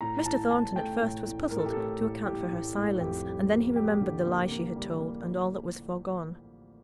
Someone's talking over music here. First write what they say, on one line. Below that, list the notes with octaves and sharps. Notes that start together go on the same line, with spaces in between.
Mr. Thornton at first was puzzled to account for her silence; and then he remembered the lie she had told, and all that was foregone.
A2 A#5
A#5
A1 A5
A2 A5
A3 G5
A2
A1
A1 A#4
A4
G4
A2 A4
A1
A1 G4
A2
A1
F2 G4
G3
A#3
G3 G4
D3
A#3
A#3
G3
A#3